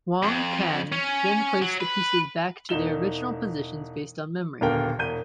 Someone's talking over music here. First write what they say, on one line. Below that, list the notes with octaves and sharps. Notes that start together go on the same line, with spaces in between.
Wang Can then placed the pieces back to their original positions based on memory.
F2
C#4
F#3
B4
E1 D#4 E7 G7
D#1 B2 D3 A#4 F5 G5
E1 G6 D#7